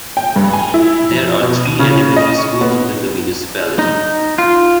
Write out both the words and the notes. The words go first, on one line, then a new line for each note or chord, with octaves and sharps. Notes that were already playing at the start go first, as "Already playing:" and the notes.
There are three elementary schools within the municipality.
G5
G2
G#5
E4
F2
B2
D#7
C#3
D#5
C#6
B3
D#4
F4